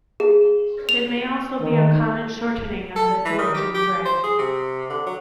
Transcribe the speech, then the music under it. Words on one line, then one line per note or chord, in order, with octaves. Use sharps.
It may also be a common shortening of The George and Dragon.
G#4
F7
D#3
A4
E3
D#3
G4
G4
C5
G#4
C3
D3
F#3